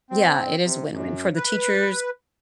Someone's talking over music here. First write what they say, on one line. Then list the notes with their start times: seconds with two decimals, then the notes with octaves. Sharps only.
Yeah, it is win-win, for the teachers,
0.10 C4
0.64 C3
0.91 F#2
1.36 B4